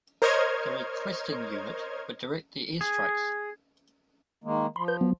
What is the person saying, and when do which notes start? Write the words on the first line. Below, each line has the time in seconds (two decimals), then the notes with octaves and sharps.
The requesting unit would direct the air strikes.
0.22 A#4 C5 C#5 D#5 F6 G#6
2.81 G#4
4.44 D#3 G#3 A#3
4.76 F3 B5 C6
4.88 B4 G6
5.01 F#3 B3